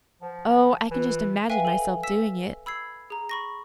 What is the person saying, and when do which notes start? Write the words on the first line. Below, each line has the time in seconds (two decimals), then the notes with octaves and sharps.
Oh, I can just imagine myself doing it.
0.22 F3 C5 F#5
0.91 E3 F4 B4
1.50 B4 E5 F5 G5 G#5
1.65 A4 G#5 G7
2.03 E6 B6 E7
2.66 B5 E6 G#6 C7
3.10 G#4 A#5
3.29 B5 C#6 A#6